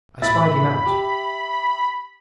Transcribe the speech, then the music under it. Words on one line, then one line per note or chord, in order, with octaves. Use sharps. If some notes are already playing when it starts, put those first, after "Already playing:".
I spied him out! ...
A2 E4 E5 B5 A6
G4